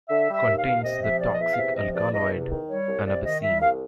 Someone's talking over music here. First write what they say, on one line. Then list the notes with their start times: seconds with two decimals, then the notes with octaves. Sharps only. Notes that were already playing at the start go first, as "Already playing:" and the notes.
Contains the toxic alkaloid anabasine.
0.09 D3 E5
0.28 G3
0.34 E5
0.47 D#2
0.59 F5
0.65 D#2
0.83 C3 D#5
1.02 F3 E5
1.20 E2 D5
1.34 D#5
1.39 E2 E5
1.53 F5
1.57 C3 E5
1.76 F3 D#5
1.94 E2 D5
2.12 E2 D#5
2.31 C3
2.50 D#3
2.69 G3 C#5
2.87 C2
3.06 C3 D5
3.24 D#3 D#5
3.42 G3 E5
3.61 C2 F5